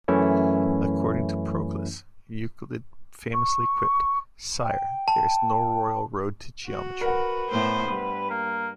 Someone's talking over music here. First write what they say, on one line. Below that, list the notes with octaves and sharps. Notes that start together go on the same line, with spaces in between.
According to Proclus Euclid famously quipped: Sire, there is no Royal Road to geometry.
F#2 E3 A3 C#4 E4
C#6
G5
A5
F#4
A#4 B4 F#5
A2 B3 C5
G2
A#3